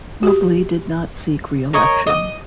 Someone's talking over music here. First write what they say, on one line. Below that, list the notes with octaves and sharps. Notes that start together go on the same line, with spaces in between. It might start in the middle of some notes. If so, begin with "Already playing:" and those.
Mobley did not seek reelection.
F#4 G4
A#4 C#5 D#5
D#5 D#6